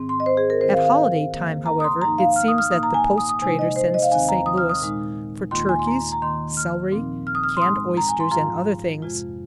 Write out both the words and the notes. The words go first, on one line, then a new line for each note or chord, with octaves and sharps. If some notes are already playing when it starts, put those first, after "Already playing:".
At holiday time, however, it seems that the post trader sends to St. Louis for turkeys, celery, canned oysters, and other things.
Already playing: G#2 D#3 C4
C6
D#5
C5
G#4
A#4
D#3 C4 F4 C5
F5
F5
D#2 D#3 A#3
A#5
D#6
C6
G#2 F3 A#3 D#4 A#5
F5
F6
D#6
F6
A#2 A#3 D#4 D#6
A#5
G#5
G#5
D#6
D#6
C3 F3 G#3 D#4 G#5
D#5
C5
D#5
F5
D#2 D#3 C4 D#4 G#5
A#5
D#6
F6
D#6
A#2 G#3 D#4
D#2 D#3 A#3 F4 C6
G#5
C6
A#5
A#5
D#2 D#3 A#3 C6
F6
A#2 F3 C4 D#4
F6
D#6
F6
C6
G#2 G#3 D#4 D#6
A#5
G#5
C6
G#2 F3 G#3 F4 A#5
F2 C3 G#3 F4